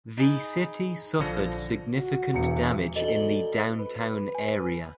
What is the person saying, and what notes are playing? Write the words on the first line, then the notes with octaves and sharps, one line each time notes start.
The city suffered significant damage in the downtown area.
D#4 G#4 B5
A#1 D3 F3 D4 A#6
F#4
E1 E3 C#7
D2 D#5 F#7 G7
B4
G#5